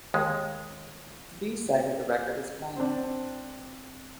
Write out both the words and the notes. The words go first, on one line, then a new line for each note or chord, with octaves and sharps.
The B-side of the record is blank.
D#2 G#3
C4 D4